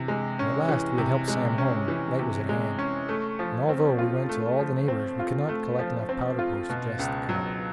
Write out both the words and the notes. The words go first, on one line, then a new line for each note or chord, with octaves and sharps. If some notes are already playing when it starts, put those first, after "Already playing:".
When at last we had helped Sam home, night was at hand; and although we went to all the neighbors, we could not collect enough powder-post to dress the cut.
Already playing: C3 E3
G#3
C#4
E3
C3
G#3
C#4
E3
C3
G#3
C#4
A3
F3
C4
F4
A3
F3
C4
F4
A3
F3
C4
F4
B2
C#2
F#3